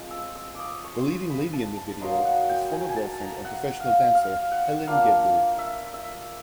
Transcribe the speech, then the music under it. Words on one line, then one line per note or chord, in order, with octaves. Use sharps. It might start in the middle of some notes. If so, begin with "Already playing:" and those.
The leading lady in the video is former girlfriend and professional dancer Helen Gedlu.
Already playing: F3 G#3 C4
E6
E6
D6 D#6
C#6
C6
B5
A5
A5
F#3 A#3 D#4 C6
F#5
G5
G#5
G5
G#5
A5
A#5
F#5
F5
F5
F#5
A#3 D4 F4 F5
E5
E5